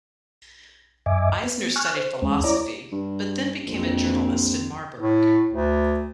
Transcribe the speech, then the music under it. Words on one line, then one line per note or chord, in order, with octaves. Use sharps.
Eisner studied philosophy, but then became a journalist in Marburg.
F#2 D#5 E5 G#5 D6
B3
G#5 C#6 F6 F#6
C5
E2 G#3 C#4
E4 C#5 D5 A#5 D6
G2
A#1 F2 C4
A2
D2